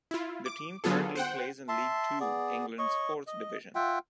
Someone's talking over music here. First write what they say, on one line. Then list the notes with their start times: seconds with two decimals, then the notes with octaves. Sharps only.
The team currently plays in League Two, England's fourth division.
0.11 E4 F4
0.46 D6
0.84 D3 F#3 B3 F4 G#4 A4
1.15 C5 F#5 G5
1.68 E5 A5 C6
2.20 B3 G#4 D5
2.78 C#5 D#5 C#6
3.27 D#5
3.75 F4 E5 F#5 G5